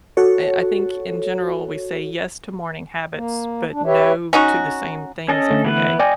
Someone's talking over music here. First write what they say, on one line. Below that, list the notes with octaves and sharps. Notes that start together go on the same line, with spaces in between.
eh, I think in general we say yes to morning habits, but no to the same things every day.
F#4 A4 C#5
A#3
D4
G4 B4 C#5 E5
C#4 D#4 F#4
C#4 A4 D#5
D3 A3
E3 B3 B4
D5 D#5 G5 G#5